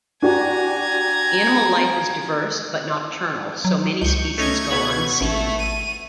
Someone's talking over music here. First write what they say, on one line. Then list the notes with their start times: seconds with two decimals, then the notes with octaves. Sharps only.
Animal life is diverse but nocturnal, so many species go unseen.
0.22 D4 F#4 G4 G#5 A#5
3.65 F#3
4.01 C#2 C#6 G6
4.38 A3 C#4 D#4 C#6 G#6
4.70 B2 B3 B5
5.21 A1 A3
5.59 D#7